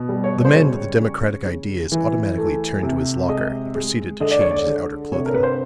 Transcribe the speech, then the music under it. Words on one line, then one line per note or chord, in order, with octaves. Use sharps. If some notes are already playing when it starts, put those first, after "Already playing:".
The man with the democratic ideas automatically turned to his locker, and proceeded to change his outer clothing.
Already playing: B2
G3
C#5
C5
C#3 C#5
C#3
C#3
E3
A3
C3
G#3 D#5
G#3
D3 D#5
D5
C#5
D5
D3
C3 C#5
A#4
B4
C5